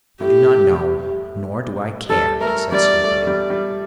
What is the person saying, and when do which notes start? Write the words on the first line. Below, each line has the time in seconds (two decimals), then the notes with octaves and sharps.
"I do not know--nor do I care," he said sleepily.
0.21 A2 G4
2.09 G3 A4
2.41 A3 A#4
2.72 G3 D5
3.04 A3
3.27 G3
3.50 G3